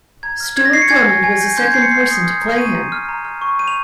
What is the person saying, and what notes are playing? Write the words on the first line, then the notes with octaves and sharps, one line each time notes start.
Stuart Drummond was the second person to play him.
A#5 G#6
F6
F6 G#6
A#6
C#6 C7
C#7
G#5 G#6
G#5
G#5
G6
C6 G6
G#6
C6 C7
C#7
G#5 C7
D#6
F6
A#5
C#6 D#7
A#5
F6
A#5
F6
C#6
G6 D#7
F7